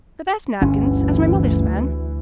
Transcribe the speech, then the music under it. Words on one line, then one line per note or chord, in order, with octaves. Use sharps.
'The best napkins, as my mother span?'
G1 D2 E3 C#4